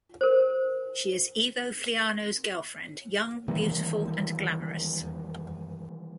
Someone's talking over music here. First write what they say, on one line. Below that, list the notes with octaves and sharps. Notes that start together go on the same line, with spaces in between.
She is Ivo Flaiano's girlfriend, young, beautiful and glamorous.
A#4 C5
D#3 E3 G3 A#3